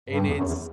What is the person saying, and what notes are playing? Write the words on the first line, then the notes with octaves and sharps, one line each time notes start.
and it's,
G2
E2
F#2
E2